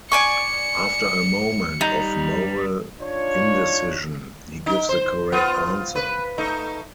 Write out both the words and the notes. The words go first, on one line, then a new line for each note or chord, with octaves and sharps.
After a moment of moral indecision, he gives the correct answer.
D5 G#5 C#6 C#7
G3 D#4 A#5
D4 D#4 F4 C#5
D#4
C5
B3 F4
B4
A3 D#4